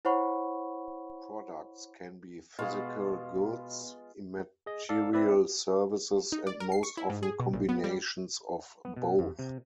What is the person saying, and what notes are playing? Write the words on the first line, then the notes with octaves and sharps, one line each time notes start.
Products can be physical goods, immaterial services and most often combinations of both.
E4 C5 C#5 F#5 B5 C#6
B2 G#3 F4
G#4 D#5
A4 D5 F5
C4 E4 B4 D5 E5
D#4
D5
A#4
C7
C#6
E4
G#2
G#4
B2
A#1
B3
G3
B3
B2
F2
C3